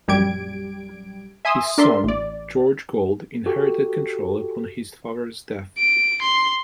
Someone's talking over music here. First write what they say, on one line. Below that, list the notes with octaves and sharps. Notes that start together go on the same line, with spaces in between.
His son George Gould inherited control upon his father's death.
A#1 F#2 G3 G4 G#6 D7
E5 G#5 C6 D#6 E6
D4 A#4 D5 E5 C6
A1 D5
F#4 G4 A4
D7
C6